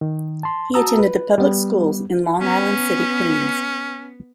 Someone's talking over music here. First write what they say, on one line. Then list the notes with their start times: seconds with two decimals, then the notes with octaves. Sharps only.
He attended the public schools in Long Island City, Queens.
0.01 D#3
0.43 A5 C6
0.74 F#4 A5 A#5 D#6 E6
0.99 B4
1.38 G3 B3
2.40 B3 C#4